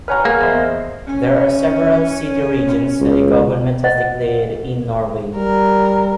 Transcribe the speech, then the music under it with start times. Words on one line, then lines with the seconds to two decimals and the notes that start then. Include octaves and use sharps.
There are several "city regions" that the government has declared in Norway.
0.08 B4 C#5 F#5 G#5 A#5 F6
0.25 A#3 G#4
0.41 E2 C5 D#5 E5
1.08 C#4
3.01 C#2
3.84 C5 D#5 F#5
5.36 G3 A#4